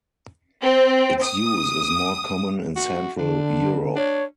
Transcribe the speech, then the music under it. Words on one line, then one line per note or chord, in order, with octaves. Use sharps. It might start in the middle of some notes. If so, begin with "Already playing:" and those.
Its use is more common in Central Europe.
C4
D#6
F#4
D3 D4
D4 C#5